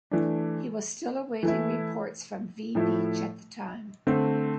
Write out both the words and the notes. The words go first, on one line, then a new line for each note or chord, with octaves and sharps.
He was still awaiting reports from V Beach at the time.
E3 A3 D4
E3 A3 E4
A2 F3 A3 E4
D3 A3 C4